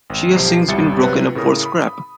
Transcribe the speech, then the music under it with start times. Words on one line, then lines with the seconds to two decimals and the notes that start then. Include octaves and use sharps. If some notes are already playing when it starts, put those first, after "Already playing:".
She has since been broken up for scrap.
0.10 G#1
0.36 B1 F3 G4 C7
0.68 G1 C2 G3 E5 A6 C#7
1.02 C3 F#3 F4 B4
1.35 A2 C#3 A#4 D#6
1.66 B5